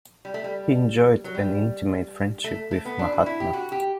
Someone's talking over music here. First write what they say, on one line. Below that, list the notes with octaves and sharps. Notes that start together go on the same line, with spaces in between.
He enjoyed an intimate friendship with the Mahatma.
G3
A3
G3
F#3
G3
A3
A3
B3
D4
F#4
E4
G4
F#4
G4